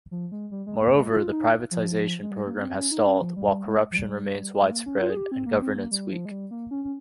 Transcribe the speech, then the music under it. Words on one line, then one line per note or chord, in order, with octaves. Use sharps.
Moreover, the privatization program has stalled, while corruption remains widespread and governance weak.
F3
G#3
G3
G#3
A#3
G#3
F4
D#4
F3
G#3
G3
A#3
A#3
C4
C#4
D#4
C#4
F3
G3
G3
G#3
F3
G3
G#3
A#3
C#4
F4
G#4
G4
C4
A#3
C4
A#3
G3
F3
G#3
G3
A#3
C#4
C#4